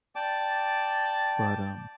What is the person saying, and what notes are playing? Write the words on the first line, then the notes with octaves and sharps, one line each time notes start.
But, um
D5 G5 A5 D6